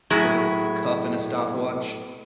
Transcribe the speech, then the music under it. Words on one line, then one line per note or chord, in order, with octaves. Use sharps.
With a cuff and a stopwatch.
A2 F#3 E4 F#4 G#4